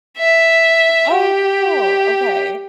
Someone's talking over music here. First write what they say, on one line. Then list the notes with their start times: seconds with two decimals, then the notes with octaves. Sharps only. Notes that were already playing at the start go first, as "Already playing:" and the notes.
Oh, cool. Okay.
0.18 E5
1.13 G4